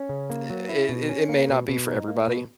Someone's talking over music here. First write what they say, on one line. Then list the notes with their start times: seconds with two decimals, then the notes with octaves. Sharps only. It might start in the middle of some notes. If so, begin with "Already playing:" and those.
it it it may not be for everybody.
Already playing: C#4
0.09 C#3
0.30 A#3
0.50 F#3
0.69 E4
0.89 B2
1.09 C#4
1.29 A#3
1.49 B2
1.69 B2
1.88 D#4
2.08 A#3
2.28 B2